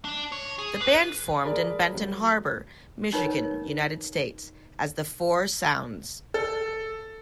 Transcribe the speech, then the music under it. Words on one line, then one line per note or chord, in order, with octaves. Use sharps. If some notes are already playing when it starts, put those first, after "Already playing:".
The band formed in Benton Harbor, Michigan, United States, as the Four Sounds.
D4
C#5
G#4
B4
G#4 A#4 D5 B5
F#3
C#4 D#4 F4 A#4 B4 C#5
A4